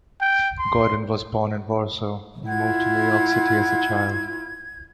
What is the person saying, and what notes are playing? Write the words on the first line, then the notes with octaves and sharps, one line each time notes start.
Gordon was born in Warsaw and moved to New York City as a child.
G5
C6
E4 F4 F#5 G#6